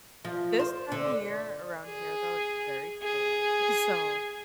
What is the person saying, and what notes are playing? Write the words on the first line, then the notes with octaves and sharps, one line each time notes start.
This time of year around here, though, it's very cold. So,
F3
C5
D3
G#4
G#4